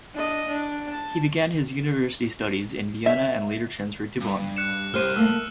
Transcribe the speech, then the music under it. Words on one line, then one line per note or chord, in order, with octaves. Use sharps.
He began his university studies in Vienna and later transferred to Bonn.
D4 D#5
D4
A5
E5
G2
F#6 C#7 E7
C2 G4 C5 F6 D#7
A3 A#3 E6